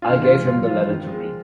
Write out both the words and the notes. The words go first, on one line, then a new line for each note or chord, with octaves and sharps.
I gave him the letter to read.
F4
D3
D#3
F3 F4
G#3
F3 F4
G3
F3
G3 F4
F3
D#3 F3
G#3